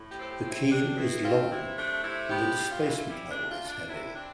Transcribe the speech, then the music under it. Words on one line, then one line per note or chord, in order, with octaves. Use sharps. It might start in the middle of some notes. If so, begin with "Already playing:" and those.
The keel is long and the displacement hull is heavy.
Already playing: A2
G4
C4 A4
G4
C4
E4
C4 D4
B2 E4
C4 F4
C3 E4
A3 D4
C3 E4
B3 G4
A2
F4
E3
G3 E4
D4
D2
F4
D3
D4
C3 E4
C4 D4